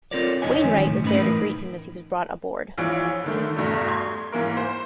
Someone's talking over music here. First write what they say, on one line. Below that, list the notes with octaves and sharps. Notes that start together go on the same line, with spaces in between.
Wainwright was there to greet him as he was brought aboard.
C4 F4 A4 A#4 C#5 D5
F2 D3 D#4 C#5 D#5 G#5
D#3 F3 G3 G#3 C#4
B1 A2
G#2 A3 C#4 D#4 B4 B5
A2 E3 D#4 A#4
A#1 E3 F3 C#5 D7
D3 D#3 A3
E2 G2 B2 A3
C6 G#6
G#2 E3 A#3 A#4
C5